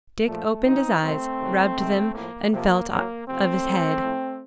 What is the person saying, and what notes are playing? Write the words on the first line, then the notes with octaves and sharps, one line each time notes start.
Dick opened his eyes, rubbed them, and felt of his head.
A#2 F3 A3
C3 F#3 C4 D#4
C3 D#3 F#3 A3 C4
C3 D#3 F#3
C3 D#3 F#3
A2 F3 A#3
C3 F3 A#3
A2 F#3 A#3
C3 F3 A3 C4
A2 F#3
A2 F3